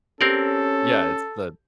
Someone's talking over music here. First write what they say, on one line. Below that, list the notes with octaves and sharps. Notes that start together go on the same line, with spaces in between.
Yeah, it's the
C4 C#4 G4 A4 A#4 D5